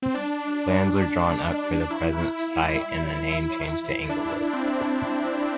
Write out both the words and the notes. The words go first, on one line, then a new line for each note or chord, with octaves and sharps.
Plans were drawn up for the present site and the name changed to Inglewood.
C4
D4
E4
E4
D4
C4